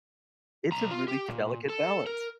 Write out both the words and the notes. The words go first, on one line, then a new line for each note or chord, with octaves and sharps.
It's a really delicate balance.
B1 A#5
F4
G4
A#2
A4
A#4